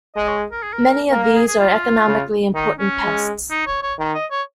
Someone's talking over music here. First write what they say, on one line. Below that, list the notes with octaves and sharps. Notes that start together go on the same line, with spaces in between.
Many of these are economically important pests.
G#3 D#5
C#5
A#4
G#4
A#4
A#3 A#4
A#4
G#4
G#4
F4
C#3
D#3 D#4
C#4
G#3
D#4
C#5
C#5
D#3
D#5
C#5